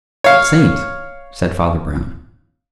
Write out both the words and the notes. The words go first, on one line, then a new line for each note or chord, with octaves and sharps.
"A saint," said Father Brown.
C#5 F5